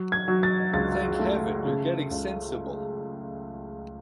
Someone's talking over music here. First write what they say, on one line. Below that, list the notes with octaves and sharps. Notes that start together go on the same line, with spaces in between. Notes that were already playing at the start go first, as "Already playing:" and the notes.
Thank Heaven, you're getting sensible!
Already playing: F#3
G#6
F#3
A6
C#2 A6
A3
C#3
C#2